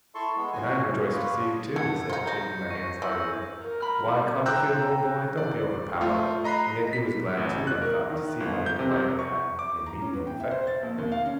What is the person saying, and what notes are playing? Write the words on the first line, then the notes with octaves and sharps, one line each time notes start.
'And I am rejoiced to see you, too!' he said, shaking my hands heartily. 'Why, Copperfield, old boy, don't be overpowered!' And yet he was glad, too, I thought, to see how the delight I had in meeting him affected me.
E4 A4 A5 C6 C#6
G#3 B3
E3 F#4 G#5
B2 C#4
F4 G#4 B4 C#5 D5
C#3 D4 F4
D3 G#6 C#7
D#4 F4
D#4 G6 A#6
C#6
E3 E6
A#4
B5 F6
G3
G5 A#5 E6 F#6 G6
D5
A3 F4
D#5 A#5 B5 F#6 C7
B6
A1
F#6
A#4
D#3
G1
G6
C3
C#6
D6
A#5
C#4
B3
G5
E5
C5
A6
A#1
D#2
F5
C#4